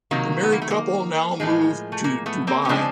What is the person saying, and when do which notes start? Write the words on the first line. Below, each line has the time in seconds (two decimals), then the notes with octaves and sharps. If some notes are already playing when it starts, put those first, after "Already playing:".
The married couple now move to Dubai.
0.11 C3 D#3 F#3 A#3
0.43 B3
0.52 A#3
0.62 A3
0.70 A#3
1.40 A2 F3 G#3
1.92 A3
2.04 A#3
2.26 A3 B3
2.47 A#3 C4
2.65 C#4
2.69 C#3 F3 G#3 C4 D4